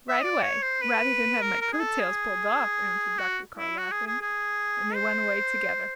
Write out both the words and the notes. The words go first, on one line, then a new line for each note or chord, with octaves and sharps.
"Right away--rather than have my coat-tails pulled off," answered Dr. Carr, laughing, and they went away together.
E5
D5
C#5
C5
B4
A#4
A#4
G#4
A4
G#4
F#4
E4
F#4
G#4
G#4
G#4
C5